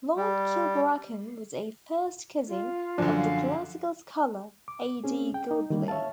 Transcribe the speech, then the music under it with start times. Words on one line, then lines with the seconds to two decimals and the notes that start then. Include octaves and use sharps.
Lord Kilbracken was a first cousin of the classical scholar A. D. Godley.
0.17 G3
2.48 F4
2.98 F#2 D3 F3 D4
3.16 F5
4.68 D6
5.04 C4 C#4 G#4
5.34 G5
5.51 D#4
5.70 D#3 G3 A#3
5.88 C#5 E5 F5 A5